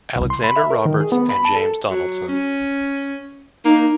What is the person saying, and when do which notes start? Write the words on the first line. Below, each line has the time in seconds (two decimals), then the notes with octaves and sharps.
Alexander Roberts and James Donaldson.
0.16 C2
0.30 C6
0.44 B5
0.56 E5
0.70 A#4
0.85 D#3
1.00 G#4
1.12 B3
1.29 B5
1.45 A5
1.56 A4
1.90 F#3
2.28 C#4
3.65 A#3 D#4